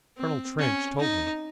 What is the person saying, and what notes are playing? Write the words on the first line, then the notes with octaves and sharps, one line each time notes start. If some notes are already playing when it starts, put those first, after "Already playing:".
"Colonel Trench told me."
C4
C#4
D#4